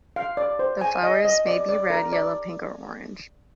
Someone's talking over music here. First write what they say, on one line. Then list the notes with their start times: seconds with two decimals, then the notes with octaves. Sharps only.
The flowers may be red, yellow, pink, or orange.
0.16 F5
0.37 D5
0.59 C5
0.81 G#5
1.03 D#5
1.25 D#5
1.47 D5
1.69 D5
1.90 A#4
2.12 D5